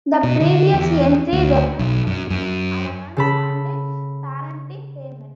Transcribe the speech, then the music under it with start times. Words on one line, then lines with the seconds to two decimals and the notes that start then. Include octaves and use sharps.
The previous entry referred to Youth allowance and Parenting Payment.
0.23 B2
0.40 D3
0.73 E2
1.33 D2
1.79 B1
2.07 F#2
2.30 F#2
3.17 C#3 A4 B5